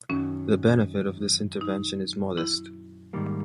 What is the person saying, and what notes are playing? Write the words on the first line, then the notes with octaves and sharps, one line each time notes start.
The benefit of this intervention is modest.
F#2 D#3 F#3 C#4
D#4
E4
G#2 D#3 G3 A#3